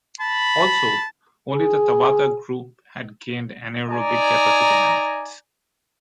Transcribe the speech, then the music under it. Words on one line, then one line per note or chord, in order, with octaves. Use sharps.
Also, only the Tabata group had gained anaerobic capacity benefits.
A5 B5
G#4
D#4 D5 G#5 A#5